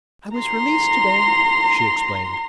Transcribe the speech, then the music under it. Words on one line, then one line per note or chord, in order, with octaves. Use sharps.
"I was released to-day," she explained.
A#5 C6